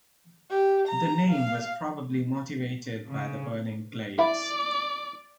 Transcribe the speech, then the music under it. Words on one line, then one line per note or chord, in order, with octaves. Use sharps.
The name was probably motivated by the burning glades.
G4
A#5
F5
C#3
E4 D5